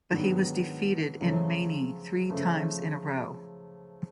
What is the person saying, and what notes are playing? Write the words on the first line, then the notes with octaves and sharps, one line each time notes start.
But he was defeated in Mani three times in a row.
G#2 D#3 F#3 B3 D4
F#2 C#3 F3 A3
C#3 F3 A3